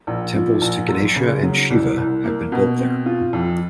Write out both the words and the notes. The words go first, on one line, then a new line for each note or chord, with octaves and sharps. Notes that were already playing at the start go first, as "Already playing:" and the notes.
Temples to Ganesha and Shiva have been built there.
A#1
F3
A#1
F#2
C#3
F#3
C2
C2
A#3
B2
C4
F4
F2